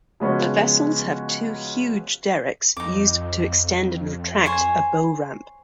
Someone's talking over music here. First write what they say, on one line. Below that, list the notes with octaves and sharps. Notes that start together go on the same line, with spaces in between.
The vessels have two huge derricks used to extend and retract a bow ramp.
C#3 F3 G#3 B3 C#4 F#4
F2 D#4 D6
C5 C#5 G#5